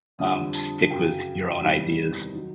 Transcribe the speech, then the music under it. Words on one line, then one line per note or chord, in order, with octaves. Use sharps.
um, stick with your own ideas.
F2 D3 G3 D#6
A5
F#2 C#3 F#3 G5
E2 C3 D#3 G3
D#3 F#3